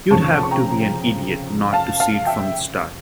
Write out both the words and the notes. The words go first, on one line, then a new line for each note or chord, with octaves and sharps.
You'd have to be an idiot not to see it from the start.
F1 F2 C#3 A5 C#6
C#6
G5 A#5
F5 A5
F5 A5
E5 G5